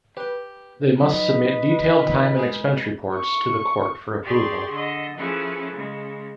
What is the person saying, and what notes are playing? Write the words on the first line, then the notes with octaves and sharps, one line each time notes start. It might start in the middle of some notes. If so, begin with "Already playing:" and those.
They must submit detailed time and expense reports to the court for approval.
G4 B4 G5
F3 F#3 D#4 B4 D#5
A#2 D#3 F4 A4
G#3 G#4
C#6
G4 G#4 D5 C6 C#6
D3 D#5
F3 C#4 E4 G#4 A4 B4
C#3 G#3